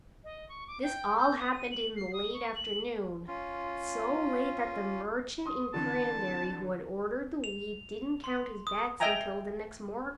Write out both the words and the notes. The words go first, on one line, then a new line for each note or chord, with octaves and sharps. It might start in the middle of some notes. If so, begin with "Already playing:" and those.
This all happened in the late afternoon, so late that the merchant in Cranberry who had ordered the wheat didn't count his bags until the next morning.
D#5
C#6
D6
G5
G6
D#6
D#7
F#7
C7
D#6
C#6
F#7
C#4 F4
C6 D#6
D3 E3 C4 A5
F7
C6
D#6
D#5 E5 G5 G#5 A#5